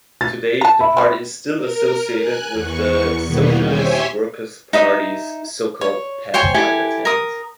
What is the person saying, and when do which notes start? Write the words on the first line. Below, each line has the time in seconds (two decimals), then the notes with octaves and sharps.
Today, the party is still associated with the Socialist Workers Party's so-called Pathfinder tendency.
0.21 A6
0.61 A5 A#5
0.80 E5 B5
0.97 G3 C4
1.57 A#4
2.19 G#5 F#6
2.53 E2 C#6
3.25 B2 D#3 E3 G3 A#3 B3
3.64 G4 C5 C#5 E5 G#5
4.73 D#4 E5 D#6
5.81 C#5
6.34 C5 C#5 G5 G#5
6.54 E4 G4 A4 G#5
7.05 A#4 D#6